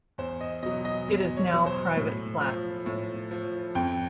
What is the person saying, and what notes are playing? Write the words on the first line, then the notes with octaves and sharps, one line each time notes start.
It is now private flats.
E2 C5
D#5
B2 F#3 D#5
D#5
E2
C#5
B2 F#3
C5
A2
F3
A2
F3
F2 G5